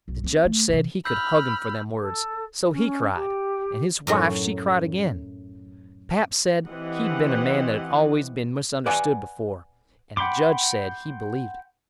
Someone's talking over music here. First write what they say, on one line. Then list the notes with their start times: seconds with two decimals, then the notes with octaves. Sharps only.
The judge said he could hug him for them words; so he cried, and his wife she cried again; pap said he'd been a man that had always been misunderstood before, and the judge said he believed it.
0.08 B1
0.24 B3 C4
0.45 A3
0.69 C3 E3
1.05 B5 E6 F6 G6
2.00 A4
2.71 C#4
3.15 G4
4.07 F#2 A2 F#3
6.67 E3 C4 G4 D#5 F#5
8.86 B4 D5 F#5 G#5
10.17 F#5 G5 B5 C6 D6